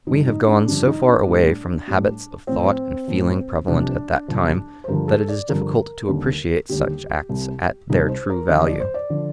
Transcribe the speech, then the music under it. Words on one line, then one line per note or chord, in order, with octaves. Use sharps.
We have gone so far away from the habits of thought and feeling prevalent at that time that it is difficult to appreciate such acts at their true value.
G2 D3 F3 D#4
D#4
D4
G2 D3 F3 D4
D#4
D4
A2 G3
A2 G3
A2 F3 C4
A2 F3
C2 C3 F3 D4
C2 C3 F3
C5
G2 D3 F3 A#4
A4
D5
G2 D3 F3 A#4
D#2 D3 G3
D#2 D3 G3 G4
C2 C3 G3
C2 C3 G3 D#4
C5
A#4
D#2 D3 F3 D#5
D#5
D5
C5
D5
D3 F3